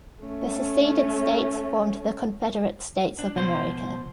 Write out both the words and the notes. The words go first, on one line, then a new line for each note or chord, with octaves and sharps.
The seceded states formed the Confederate States of America.
A3 C#4
D4
C#2 B2 F3 C5